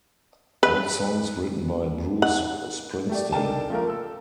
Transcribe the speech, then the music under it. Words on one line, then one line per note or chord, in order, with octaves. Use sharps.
All songs written by Bruce Springsteen.
B4
F#5
A3 G4 D5
D4 D#4 A4 A#4 G5 A5
F3 A3 A#3 A#4
A4 E6